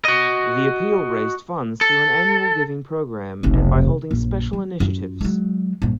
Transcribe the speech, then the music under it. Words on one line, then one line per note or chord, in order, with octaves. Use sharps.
The appeal raised funds through an annual giving program and by holding special initiatives.
F#4 D#5
A4
F1 B1
A#1 F#2
F#3
F#2 F4
F#3 G#3
A#1 G2